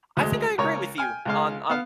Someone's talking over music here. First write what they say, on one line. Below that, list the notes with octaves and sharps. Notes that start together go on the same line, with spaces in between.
I think I agree with you on on
D2 G#3
C#2 A#4 C#5
G5 G#5 F6
C#2 G#3 F5
B3 F5